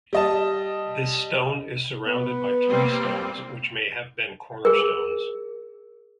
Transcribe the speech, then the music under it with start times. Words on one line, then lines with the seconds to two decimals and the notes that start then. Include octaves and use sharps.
This stone is surrounded by three stones which may have been cornerstones.
0.13 G3 D#5 A5
2.06 B3 B4
2.67 G3 A#3 C4
4.65 G#4 A#4